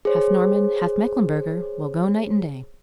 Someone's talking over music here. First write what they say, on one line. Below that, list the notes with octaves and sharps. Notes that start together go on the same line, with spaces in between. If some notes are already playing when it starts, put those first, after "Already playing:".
"Half Norman, half Mecklenburger; will go night and day."
G#4 C5 C#5